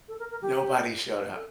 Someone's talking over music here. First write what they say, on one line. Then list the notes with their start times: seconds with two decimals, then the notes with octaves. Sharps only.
nobody showed up,
0.08 A4
0.19 A#4
0.31 A#4
0.42 G4
1.35 A4